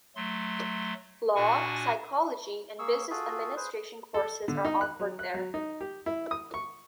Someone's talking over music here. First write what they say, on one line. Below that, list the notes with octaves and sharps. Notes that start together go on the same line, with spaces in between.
Law, Psychology and Business Administration courses are offered there.
F#3 A3 C6
A#2 D4 F#4 F#5 G#5 C#6
A#3 G#4 C#6 E6
F4 F#4 G#4 A4
G#4 B4 C5
A4
D3
D#4
F#6
F#3
F#6
F#3
D#4
G4
E4
D#6
C#6